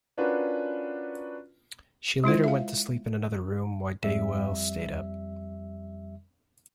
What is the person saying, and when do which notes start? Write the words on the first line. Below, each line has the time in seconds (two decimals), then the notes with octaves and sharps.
She later went to sleep in another room while Deuel stayed up.
0.17 C#4 D4 F4 F#4 A#4 B4
2.24 G#3 E4 F4 C5
2.44 E5 F5
4.04 F2 G3 E5